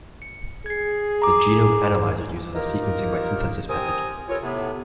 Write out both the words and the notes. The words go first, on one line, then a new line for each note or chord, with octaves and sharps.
The Genome Analyzer uses a sequencing by synthesis method.
C#7
G#4 G#6 C7
A#5 D6
A#3 D#4 F4 G4 A#4
C4 G4 A#4 G#5 D#6
E3 G3 F4 A4 A#4 C#5
A2 C3 B3